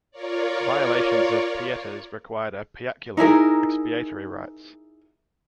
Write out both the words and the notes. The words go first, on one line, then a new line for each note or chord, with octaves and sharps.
Violations of "pietas" required a "piaculum", expiatory rites.
F4 A#4 C#5 D5
D#4 E4 G#4 A#4